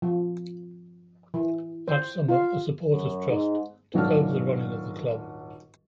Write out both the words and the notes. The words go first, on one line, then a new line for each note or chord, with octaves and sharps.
That summer, a supporters' trust took over the running of the club.
F3
E3
C5
F4
F#2
G#2
D#1 G#2 F#3 D4 A4 F6